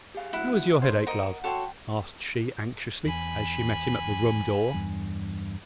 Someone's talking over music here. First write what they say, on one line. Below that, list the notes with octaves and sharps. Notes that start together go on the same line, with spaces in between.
"How is your headache, love?" asked she anxiously, as she met him at the room door.
G4 G#4 F5
F#2 A2 F#3 E4 F#5
A3 C5 C#5
A#4 D#5 F#5
F#4 A4 C#5 F#5 G5 C6
E2 G#5 B5
E2 G2